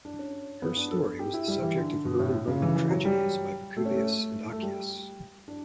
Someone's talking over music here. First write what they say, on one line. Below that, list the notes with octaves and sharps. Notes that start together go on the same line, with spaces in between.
Her story was the subject of early Roman tragedies by Pacuvius and Accius.
D4
C#4
B3
D4
A4
G4
E4
G3
E3
D3
B2
A2
C#3
E3
E3
F#3
G3
A3
C#4
A3
A3
G3
D4